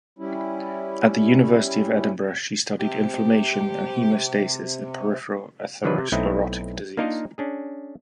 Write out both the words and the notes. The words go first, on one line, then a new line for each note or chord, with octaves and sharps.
At the University of Edinburgh she studied inflammation and haemostasis in peripheral atherosclerotic disease.
G3 C#4 E4
C3 G4
C3 D#3 E3 F#3 D4 B4
C3
B1 A3 C4 D#4 E4 D#5
A#3 D4 D#4 F4 A#4 D#5
C#4 D4 G#4